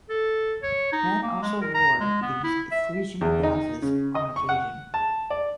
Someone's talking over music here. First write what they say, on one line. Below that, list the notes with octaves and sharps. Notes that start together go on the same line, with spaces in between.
Men also wore these "Frisian blouses" on occasion.
A4
C#5
D#4
A#3
G#3
A#4
A#5
G#3
B3
E4
E5
E2
D#4
C#3
D#5
C#6
F#5
A5
D5